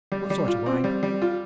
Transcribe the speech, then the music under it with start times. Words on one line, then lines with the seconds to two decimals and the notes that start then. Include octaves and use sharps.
"What sort of wine?"
0.12 G3
0.30 G3
0.48 F4
0.66 C4
0.84 G3
1.03 G3
1.22 F4